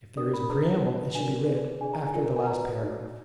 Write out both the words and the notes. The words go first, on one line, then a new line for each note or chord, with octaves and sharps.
If there is a preamble it should be read after the last paragraph.
D4 F#4 A#4 D5 D#6
B5
D4 G#4 B4 D5 A#5
D#4 F#4 B4 D5
D4 F#4 A#4 D5 G#5
D#4 G#4 B4 D5
D4 G#4 D5 G#5
A#5
G#5
F4 A#4 D5
G#5
F#4 B4 D5 A#5
D#4 F#4 D5